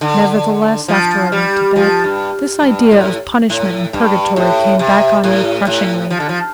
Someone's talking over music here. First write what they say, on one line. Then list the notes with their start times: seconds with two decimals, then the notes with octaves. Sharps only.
Nevertheless, after I went to bed, this idea of punishment and Purgatory came back on me crushingly.
0.01 D3
0.88 F3
1.32 G3
1.76 F3
2.04 G2
2.62 G2
2.91 A2
3.50 A2
3.93 G2
4.36 A2
4.79 C3
5.24 A2
5.67 A2
6.10 F3
6.20 D3
6.29 F3